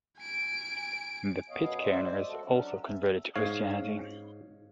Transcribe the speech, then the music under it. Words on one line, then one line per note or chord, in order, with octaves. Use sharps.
The Pitcairners also converted to Christianity.
G#5 D7
F#2 B2 B3 C#5 D#5 F5
G#3 C5 D5 E5
F#4 A4
F#3 C#4 D4
E5
G#2 C#5 F5